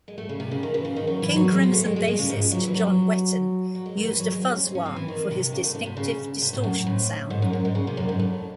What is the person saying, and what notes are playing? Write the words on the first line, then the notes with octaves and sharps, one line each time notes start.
King Crimson bassist John Wetton used a fuzz-wah for his distinctive distortion sound.
G#3
A3
C#3
C3
C#3
D#3
E3
C#3
D#3
F#3
E3
F#3
G#3
C4
A3
G#3
G#3
G#3
C#3
G#2
F#3
E3
F#3
F#3
G#3
D#3
E3
F#3
G#3
C4
C#4
C4
C#4
C4
E3
D#3
C3
C#3
A2
G#2
C3
C#3
C3
A2
F#2
A2
G#2
F#2
F#2
G#2
C#3
C3
F#2
G#2
A2